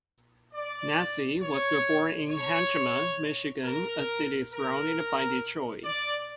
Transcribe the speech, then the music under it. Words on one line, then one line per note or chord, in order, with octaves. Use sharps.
Nedzi was born in Hamtramck, Michigan, a city surrounded by Detroit.
D5
C#5
C#5
A#4
A#4
D5